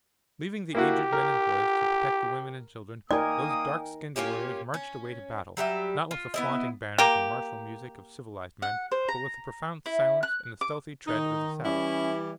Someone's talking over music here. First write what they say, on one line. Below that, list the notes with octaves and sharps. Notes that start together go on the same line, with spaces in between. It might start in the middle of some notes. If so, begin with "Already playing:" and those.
Leaving the aged men and boys to protect the women and children, those dark-skinned warriors marched away to battle--not with the flaunting banners and martial music of civilised man, but with the profound silence and the stealthy tread of the savage.
A#3 E4 F#4 G4
A#4
A#3 D#4 A#4 D5 G5 G#5 D#6
A#3 C#4 F4 G4
C#4
F#3 G3 G4 E5
F4
B3 E4 D#5
A#3 G4
F#5
C5
A#5
E4
F#6
D6
D#3 D#4
E3 G3 C#4 E4